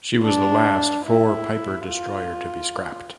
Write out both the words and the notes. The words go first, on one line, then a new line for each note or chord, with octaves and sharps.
She was the last "four piper" destroyer to be scrapped.
D4
E4
F4